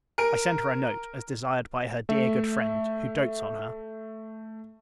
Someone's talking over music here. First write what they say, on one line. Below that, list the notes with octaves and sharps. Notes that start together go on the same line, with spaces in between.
I send her a note; as desired by her dear good friend, who doats on her.
A#4 D7
A3 E5